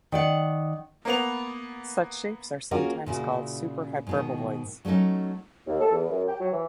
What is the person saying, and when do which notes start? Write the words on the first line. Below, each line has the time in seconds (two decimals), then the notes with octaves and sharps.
Such shapes are sometimes called super-hyperboloids.
0.12 D#3 D5 F#5
1.05 A#3 B3 F7
2.71 A#3 C#4 F4 F#4 G#4 A#4
3.06 A#2 C#3 E4 F#4
4.07 G#2 B2 D#3
4.85 F#3 G3 A3 C#4 D#4
5.67 D#2
5.80 A4
5.91 E2
6.09 F#2
6.28 G5
6.40 F#3
6.52 E3